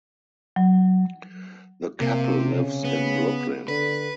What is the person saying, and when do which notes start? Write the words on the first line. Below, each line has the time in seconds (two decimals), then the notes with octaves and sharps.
The couple lives in Brooklyn.
0.56 F#3
2.01 C3 A#3
2.48 C#3
2.85 B3
3.68 D3 B4